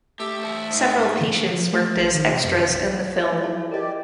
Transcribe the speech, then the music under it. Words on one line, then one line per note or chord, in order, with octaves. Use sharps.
Several patients worked as extras in the film.
A3 G4
C5 A5
G#2 G#3
F3
A3
A1
D#3
C3
F#2
B1
E4 F4 E5
E4 F4 G#4 C5 D5 A5
G4 A#4 D5 D#5